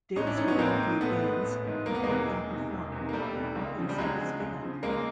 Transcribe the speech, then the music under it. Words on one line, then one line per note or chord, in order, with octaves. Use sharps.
Digs would interview bands and have them perform - all inside his van.
A1 C#4 D#4
D4 E4
G#2 D#3 C#4 D#4
B3 C#4
A1 A#3 C4
G#2 D#3
A1 A3 B3
G#2 D#3
A1
G#2 D#3
E1 A#3
B3
E2 C3 D#3 G#3 A#3
E1
E2 C3 D#3
E1
E2 C3 D#3
A#3
E1 G3 A3
E2 C3 D#3
C#2
C#3 F3
G3
C#2 F#3 G#3
C#3 F3
C#2
C#3 F3
C#2 G#3 A#3